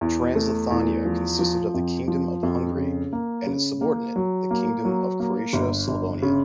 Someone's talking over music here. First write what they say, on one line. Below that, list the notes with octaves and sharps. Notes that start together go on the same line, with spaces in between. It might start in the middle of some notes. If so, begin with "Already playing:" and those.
Transleithania consisted of the Kingdom of Hungary and its subordinate, the Kingdom of Croatia-Slavonia.
E2
A3
E2
F3
F3
F2
F3
F2
C#3
A#3
C#3
A#3
F#3
A#3
F#3
A#3
G1
G1
C#3